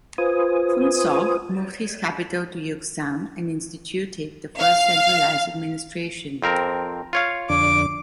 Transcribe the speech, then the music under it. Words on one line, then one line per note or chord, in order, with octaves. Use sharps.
Phuntsog moved his capital to Yuksam and instituted the first centralised administration.
F4 B4 C5 G#5 D#6
F5
F2 C4 A#4
F4 C#5 F5
F2 D3 D4 D6